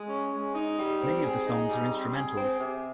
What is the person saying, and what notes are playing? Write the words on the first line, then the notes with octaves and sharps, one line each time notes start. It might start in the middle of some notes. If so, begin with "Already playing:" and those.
Many of the songs are instrumentals.
Already playing: G#3
C#4
G#3
D#4
G3
C4
G#4
D#4
G3
C4
G#4
C4
C3